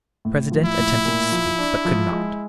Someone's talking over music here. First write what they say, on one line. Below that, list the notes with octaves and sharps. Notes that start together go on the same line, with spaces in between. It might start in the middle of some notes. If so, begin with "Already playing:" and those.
The president attempted to speak, but could not.
A2
F3
E4
A2
A#2
F3
D4
F3
G#3